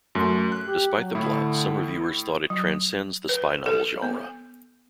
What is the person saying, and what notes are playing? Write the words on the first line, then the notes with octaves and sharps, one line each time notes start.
Despite the plot, some reviewers thought it transcends the spy novel genre.
F#2 A3
F#6
G4
F#3
A2 D3 E4
F#3
B4
A4
B3